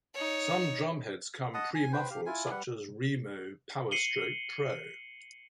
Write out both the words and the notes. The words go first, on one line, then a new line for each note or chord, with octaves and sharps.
Some drumheads come pre-muffled such as Remo Powerstroke Pro.
D#4 C#5
D#5 F#5 A5 D#6
G#5
B4 C5 G5
G4 F5
E4 F4 G#5
G3 B4 F#5
C7 C#7 D#7 F#7 G7